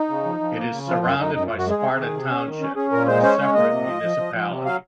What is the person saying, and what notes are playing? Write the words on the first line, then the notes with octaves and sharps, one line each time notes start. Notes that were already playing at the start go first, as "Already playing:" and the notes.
It is surrounded by Sparta Township, a separate municipality.
Already playing: D#4
C#3
F3
F3
A#3
C#3
F3 F4
F#2 F4
F#2 D#4
F#2 D#4
F4
F#2
F#4
G#3 G#4
C3
D#3
C3
C#4
D#3
C#4
C#4 G#4
A#2 A#4
G#3 C5
C#4 C5
G#3 C#5
A#2 D#5
C3
F3
F3
F3
F3
C3
F#3 F5